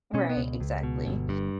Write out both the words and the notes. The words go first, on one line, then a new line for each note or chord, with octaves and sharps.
Right, exactly.
B2 C#4
B3
C#2
C#2
B2
G1
G2